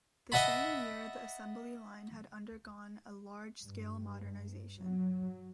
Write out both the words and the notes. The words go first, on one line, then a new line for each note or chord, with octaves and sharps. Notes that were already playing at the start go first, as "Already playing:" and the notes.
The same year the assembly line had undergone a large-scale modernization.
D#5 E5 F#5 A5 B5
G2
F#3